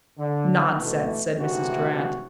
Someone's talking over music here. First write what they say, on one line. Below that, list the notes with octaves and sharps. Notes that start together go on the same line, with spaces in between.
"Nonsense," said Mrs. Durrant.
D3
B2 E3 A3
G#1 C3 E3 A3 F#4